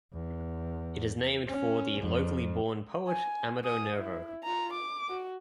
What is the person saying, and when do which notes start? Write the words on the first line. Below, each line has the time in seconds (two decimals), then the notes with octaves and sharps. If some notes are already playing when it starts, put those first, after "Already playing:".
It is named for the locally born poet Amado Nervo.
0.13 E2
1.47 C#4
2.01 F2
3.08 G#5
3.64 G#5 D#6
3.96 E4
4.44 F4 A#5
4.73 D6
5.09 F#4